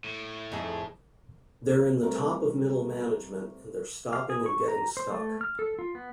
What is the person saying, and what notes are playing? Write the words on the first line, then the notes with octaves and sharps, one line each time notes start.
They're in the top of middle management and they're stopping and getting stuck.
A2
F2 D#4 G#4
G3 A3 C4 A#4 B4
F5
G#4
C#6
A#5
C5
A3
F6
A4
F4
B3